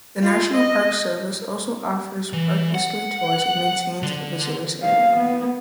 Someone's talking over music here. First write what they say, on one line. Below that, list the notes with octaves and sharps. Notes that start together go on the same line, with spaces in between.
The National Park Service also offers park history tours and maintains a visitors area.
F4
D#5
E3
F#5
D3
F5
B3